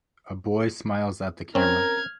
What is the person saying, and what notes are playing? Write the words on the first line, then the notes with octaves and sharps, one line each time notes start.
A boy smiles at the camera.
C4 C#4 A#4 F6 G#6